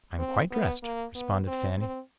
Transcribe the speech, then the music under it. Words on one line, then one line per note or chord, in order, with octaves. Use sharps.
"I am quite dressed," responded Fanny.
C4
B3
A#3
B3
C4
C4